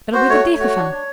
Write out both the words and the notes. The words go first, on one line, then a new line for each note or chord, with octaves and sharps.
It'll be the death of him.
F#4 C5
A3 C#5
A3
F#4
D4
D4